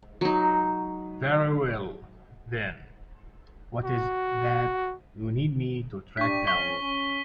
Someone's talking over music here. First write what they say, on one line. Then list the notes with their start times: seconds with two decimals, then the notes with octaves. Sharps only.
Very well then, what is it that you need me to track down?
0.21 F#3 D#4
3.84 F#4
6.17 D4 G4 C#6 B6
6.47 F2 C#4 C#6 B6 G7
6.80 C#4